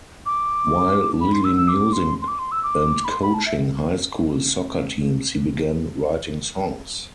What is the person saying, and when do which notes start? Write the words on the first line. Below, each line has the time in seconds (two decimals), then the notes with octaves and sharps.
While leading music and coaching high school soccer teams he began writing songs.
0.26 D6
1.21 B5
1.33 C6
1.44 E6
1.56 E6
1.68 D6
1.93 C6
2.21 C6
2.28 D6
2.39 C6
2.52 E6
2.63 D6
3.04 B5
3.11 C6
3.22 B5
3.34 A5
3.46 E5